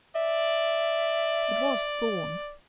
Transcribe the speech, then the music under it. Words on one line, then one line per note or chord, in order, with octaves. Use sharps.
"It was Thorn."
D5 E5